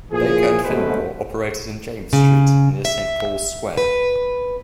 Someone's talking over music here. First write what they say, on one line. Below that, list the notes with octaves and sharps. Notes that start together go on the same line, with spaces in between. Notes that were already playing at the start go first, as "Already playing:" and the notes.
Baker and Finnemore operated in James Street, near Saint Paul's Square.
A#2 E3 F3 G#4
G#1 F#2 B2 A3 B4 C5
C#3
E5
B4